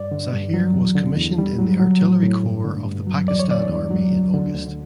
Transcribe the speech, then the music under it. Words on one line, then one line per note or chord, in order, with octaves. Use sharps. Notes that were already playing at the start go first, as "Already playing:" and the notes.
Zahir was commissioned in the Artillery Corps of the Pakistan Army in August.
Already playing: G2 D5
D3
G2
F#3
E2
D3
E2
G3
F#3
F#3
A2
A2
G2
D3
G2
F#3
E2 D5
C#5
D3 D5
E2
F#3
D2
D3
D2